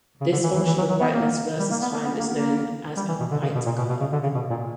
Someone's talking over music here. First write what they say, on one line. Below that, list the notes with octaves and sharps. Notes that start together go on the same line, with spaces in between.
This function of brightness versus time is known as a light curve.
C#3
D3
E3
E3
E3
F#3
F#3
B3
A#3
G3
A#3
B3
A#3
B3
A#3
A#3
G3
E3
B2
D3
C#3
B2
A#2
B2
B2
C#3
D3
C#3
B2
A#2